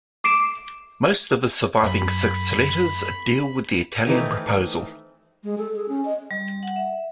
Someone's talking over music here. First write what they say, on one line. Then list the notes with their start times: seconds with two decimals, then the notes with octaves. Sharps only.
Most of his surviving six letters deal with the Italian proposal.
0.24 D6 C7 D7 E7
1.83 F#2 B5
4.06 D#3 E3 A3 C4 D#4 B4
5.44 G#3
5.58 A4
5.76 G#4
5.89 C#4
6.05 D#5
6.31 G3
6.63 F#5
6.76 E5